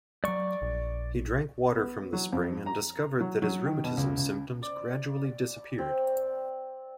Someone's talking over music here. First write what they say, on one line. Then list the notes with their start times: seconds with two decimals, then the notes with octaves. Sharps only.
He drank water from the spring and discovered that his rheumatism symptoms gradually disappeared.
0.24 F#3 G3 D5 C#6
0.62 A#1
1.76 B3
2.13 F#3
2.33 F2
2.66 A#5
3.21 F#3
3.42 F#3
3.66 D#3
3.84 B2
3.97 C#2
4.17 C#2
4.62 D5
5.78 C4